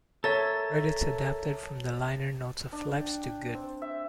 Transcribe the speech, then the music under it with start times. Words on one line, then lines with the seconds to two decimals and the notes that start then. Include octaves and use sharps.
Credits adapted from the liner notes of "Life's Too Good".
0.24 A4 A#4 C#5 E5 A6
2.72 D4
2.97 G5
3.55 C4
3.82 E5